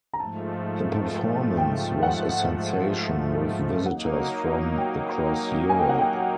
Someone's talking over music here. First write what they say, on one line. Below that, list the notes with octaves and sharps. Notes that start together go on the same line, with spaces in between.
The performance was a sensation with visitors from across Europe.
A#5
G#2 F3 A3 A5
G5
F#5
F#3 A#3 D#4 F#5
G5
G#5
G5
F#5
G5